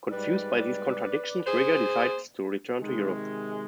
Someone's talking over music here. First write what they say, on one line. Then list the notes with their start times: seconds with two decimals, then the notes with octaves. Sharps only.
Confused by these contradictions, Rigger decides to return to Europe.
0.11 G#2 G3 B4 D5
1.46 G#4 C5
2.82 C3 D#3 G#3